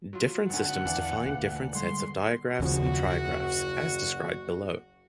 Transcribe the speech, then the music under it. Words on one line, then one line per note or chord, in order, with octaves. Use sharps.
Different systems define different sets of digraphs and trigraphs, as described below.
F#3 F4
G#1 D2 F#5
E2 E3 D4 F5
D2 A#2
D3 G3 G#3 C6
F#1 D#2 C#3 F3 F#4